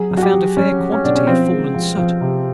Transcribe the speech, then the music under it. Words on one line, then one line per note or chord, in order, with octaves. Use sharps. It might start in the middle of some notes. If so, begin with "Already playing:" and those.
I found a fair quantity of fallen soot.
Already playing: F#3 G#4
F#3
F#4
G4
F#3
F#3 C#4
F#3
C#4
B2 D4
C#4
F3 C4
G#3
F3
F3
C3